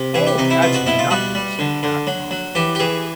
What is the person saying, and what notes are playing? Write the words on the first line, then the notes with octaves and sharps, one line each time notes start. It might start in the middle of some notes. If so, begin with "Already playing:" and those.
'Oh, that's nothing,' said Jack Hopkins.
Already playing: C3
E3 G#4
G4
C3 D#4
E4
B2 F4
F#4
B2 E4
F4
G3 F#4
G3
D3
D3
F#3
F#3
E3 G4
G4
E3 G#4